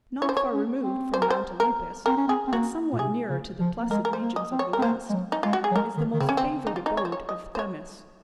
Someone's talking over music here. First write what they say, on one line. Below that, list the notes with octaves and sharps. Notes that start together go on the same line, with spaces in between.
Not far removed from Mount Olympus, but somewhat nearer to the blessed regions of the West, is the most favoured abode of Themis.
C#4 C#5
C5
C#5
C#4
C4
C5
A#4
C5
A#4
C4 A#4
C#4
C4 G#4
C4
A#3 F#4
A#2
C3 G#4
C#3
F3
A#3
G#3 A#4
A#4
C5
A#3
D#5
C4
C#5
A#4
C4
A#3 C5
G#3
F#3
D#4
G#3 F4
F#4
G#4
F#3
G#3 A#4
D#3
D#3
C#3 C4
C#4
C4
D#4
F4
D#4
C#5
C5
C#5
D#5
C5
C#5